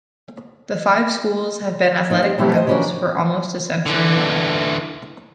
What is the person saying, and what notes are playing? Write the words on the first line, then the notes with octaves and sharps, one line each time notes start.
The five schools have been athletic rivals for almost a century now.
C4 D#4 F4 C5
C4 G4
B2 F#3 A3 C4 E4 G4
C5 D#5
C#3 E3 C#4 D4 F#4 A#4
D3 E3